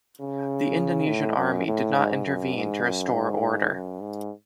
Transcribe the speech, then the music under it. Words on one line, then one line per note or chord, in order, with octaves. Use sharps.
The Indonesian army did not intervene to restore order.
C#3
A2
F#2
A2
G#2
F#2
G#2
F#2
G#2
F#2
G#2